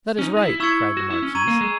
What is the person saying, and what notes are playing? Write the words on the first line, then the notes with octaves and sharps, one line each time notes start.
"That is right," cried the marquise.
C#4
D#4
D#4
E4
E4 C#6 E6 G#6 C#7
F#4
E4
C#4
A#5 C#6 G#6 D#7 F#7
A#3
G#3